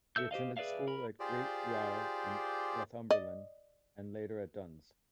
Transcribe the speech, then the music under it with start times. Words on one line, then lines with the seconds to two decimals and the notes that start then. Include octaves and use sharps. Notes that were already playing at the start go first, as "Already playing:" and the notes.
He attended school at Great Ryle in Northumberland, and later at Duns.
0.16 A4 E5 E6 G6
0.31 G4 C5 D#5 F5
0.57 G#4 B4 D5 E5 F5
0.87 A#4 B5
1.20 F4 G4 G#4 C5 D5
3.11 D5 D#5